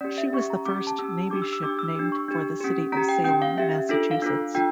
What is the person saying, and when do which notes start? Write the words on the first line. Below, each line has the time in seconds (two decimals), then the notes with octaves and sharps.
She was the first Navy ship named for the city of Salem, Massachusetts.
0.01 C#4 G4 D5
0.18 E5
0.33 C#4 G4 C#6
0.50 A#5
0.65 C#4 G4 D6
0.77 D6
0.87 A5
0.99 C#4 G4 E6
1.30 D4 G4 D6
1.42 E6
1.53 E6
1.63 D4 G4 D6
1.79 E6
1.96 D4 G4
2.12 C#6
2.28 D4 G4
2.61 C#4 G4
2.92 C#4 G4 A#5
3.09 G5
3.24 C#4 G4 G5
3.42 F5
3.58 C#4 G4 E5
3.89 D4 F4 A4
4.11 F5
4.22 D4 F4 A4
4.54 D4 F4 G5